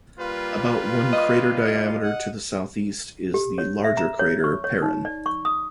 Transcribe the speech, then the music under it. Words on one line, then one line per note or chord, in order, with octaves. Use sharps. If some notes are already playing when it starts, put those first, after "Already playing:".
About one crater diameter to the southeast is the larger crater Perrine.
G3 A#3 F4 B4
D#5
F#5
G4
C#5
E5
A#5
C#5
C#6
C#5
D#4
D5
C#6
D#6